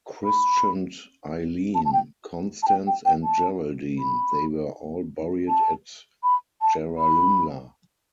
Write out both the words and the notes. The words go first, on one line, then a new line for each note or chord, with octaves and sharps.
Christened Ayleen, Constance and Geraldine, they were all buried at Yarralumla.
B5
A5
A5
G5
A5
G5
G5
G5
A5
B5
A5
B5
A5
B5